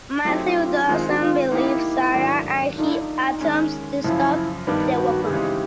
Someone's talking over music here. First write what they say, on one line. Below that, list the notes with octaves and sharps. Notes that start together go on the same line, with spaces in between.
Matthew doesn't believe Sarah, and he attempts to stop the weapon.
F#3 A3 C4 D#4 E4 G4
E4
F4
E4
F4
D#3 G#3 C4 F4
F#4
F4
A#3 D#4 E4 G4
G#2 D#3 F#3 A3 D4
A3 D4 D#4 F4 A4
E4
D#4
D#3 G#3 C#4
F#2 C#3 F3 E4
G2 D#3 G3 B3 D#4
F4
F#4
G#4
C#3 E3 G#3 C4 D#4 G4